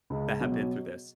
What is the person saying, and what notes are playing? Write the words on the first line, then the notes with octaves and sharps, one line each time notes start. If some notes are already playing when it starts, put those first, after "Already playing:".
that have been through this,
C#2
B2 F#3